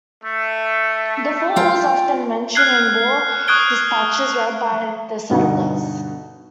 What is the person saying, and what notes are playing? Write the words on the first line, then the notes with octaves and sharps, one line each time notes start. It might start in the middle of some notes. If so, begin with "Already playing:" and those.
The fort was often mentioned in war dispatches read by the settlers.
A3
F4 G5
F6 F#6 G#6 C7
C#6 D#6 F#6 G#6 D7 G7
G2 B2 D3 D#4 F#4